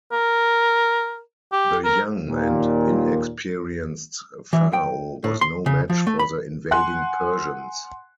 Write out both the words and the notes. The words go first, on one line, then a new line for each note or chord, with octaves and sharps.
The young and inexperienced pharaoh was no match for the invading Persians.
A#4
G4
A#4
D#2 A#2
E3
G5
A2
C6
C#3
F3
A3
B5
F#5 G#5 C6 F#6